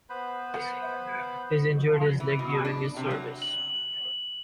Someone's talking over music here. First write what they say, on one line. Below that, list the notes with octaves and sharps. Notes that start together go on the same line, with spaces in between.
His injured his leg during his service.
B3 B4 C5 B5
E3
B2
D4
C3
F#3
F#7